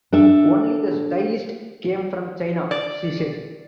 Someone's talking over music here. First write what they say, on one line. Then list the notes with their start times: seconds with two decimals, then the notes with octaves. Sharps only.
Only the stylist came from China, she said.
0.13 D4 A4 E5
2.71 D5